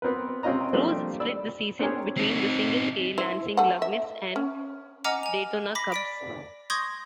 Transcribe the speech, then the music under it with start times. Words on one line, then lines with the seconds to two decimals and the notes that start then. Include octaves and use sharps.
Cruz split the season between the Single-A Lansing Lugnuts and Daytona Cubs.
0.02 B3 C4 A#4 B4
0.43 C3 C4 C#4 F4 D#5 A#5
0.73 F3 G3 A3 A#3 C4 D4
1.20 D5 B5 E6
1.79 C4 D4 G4 G#4 A#4 C#5
2.17 C4 D#4
3.18 E4 C5
3.57 A3 F#5
3.82 E5
4.36 C#4
5.04 D#5 F#5 G#5 A#5 D6 F6
5.23 G#5 F7
5.75 B5 D6 A#6 B6
5.92 D5 B6 D7
6.70 C6 C#6 D#6 G6 G#6 A#6